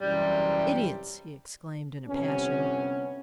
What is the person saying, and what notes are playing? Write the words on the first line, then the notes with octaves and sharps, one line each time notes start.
'Idiots!' he exclaimed, in a passion.
F#2 C3 E3 G3
G1 C3 B3 C#4